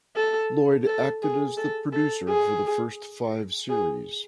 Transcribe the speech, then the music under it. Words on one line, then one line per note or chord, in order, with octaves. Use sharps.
Lloyd acted as the producer for the first five series.
A4
A4
G#4
A4
A4
G#4
G#4